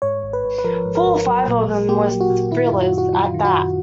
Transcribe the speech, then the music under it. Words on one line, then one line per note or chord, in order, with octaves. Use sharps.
Four or five o' them was thrillers, at that.
G#2 C#5
G#1
B4
G#1
B4
F3 A#4
G#2
A#4
G#1
F#3
A#2
A#2
A#3 G4
F#3
F#4
A#2
D#3 E4
F4
F#2
F#4
F#2
F#4
F#3 F4
D#3
F#4
F#2